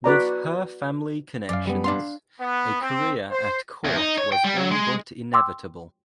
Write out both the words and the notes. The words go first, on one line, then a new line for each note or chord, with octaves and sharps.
With her family connections, a career at court was all but inevitable.
F#4 B4 D5 A#5
F#2 D5 F5
G3 B3
D4 F5 C6
B3
C4
C5
E2
D#4
C#5
G5
G3
F#3
G#3
G5 C6 D6 E6